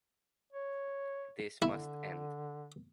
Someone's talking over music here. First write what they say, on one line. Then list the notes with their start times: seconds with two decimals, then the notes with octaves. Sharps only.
This must end.
0.52 C#5
1.62 D3 E4